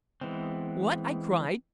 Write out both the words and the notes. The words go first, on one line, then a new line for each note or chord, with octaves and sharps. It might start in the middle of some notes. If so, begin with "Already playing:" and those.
"What!" I cried.
E3 G#3 B3 C4